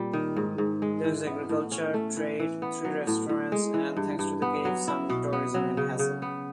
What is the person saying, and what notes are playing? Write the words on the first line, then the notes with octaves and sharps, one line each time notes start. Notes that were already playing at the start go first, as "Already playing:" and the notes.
There is agriculture, trade, three restaurants and, thanks to the cave, some tourism in Hasel.
Already playing: A#2 G3 C4
D#3
G#2
G#2
G#3
E3
B3
A2
C#4
A3
E3
E3
B3
F#3
A2
A2
G#3
E3
G2
G2
B3
F#3
E4
B2
B3
F#3
C#3
C#3
B3